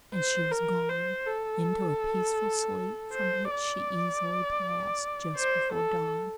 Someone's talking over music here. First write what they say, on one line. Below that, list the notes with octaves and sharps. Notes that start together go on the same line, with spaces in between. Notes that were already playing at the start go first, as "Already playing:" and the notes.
And she was gone--into a peaceful sleep from which she easily passed just before dawn.
C5
A#4
C5
A4
C5
D5
C5
A4